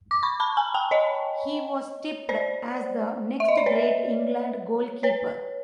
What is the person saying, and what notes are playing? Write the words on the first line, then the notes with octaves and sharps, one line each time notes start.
He was tipped as the next great England goalkeeper.
D6
B5 C#6
A5 B5
G#5 A#5
G5 A5
C#5 D#5
C5 D5
E5
D#5
D5
B4 C#5
B4 C#5